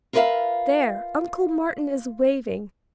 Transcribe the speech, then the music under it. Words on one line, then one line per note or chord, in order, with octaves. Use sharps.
There, Uncle Martin is waving.
F4 A#4 B4 C#5 E5 F5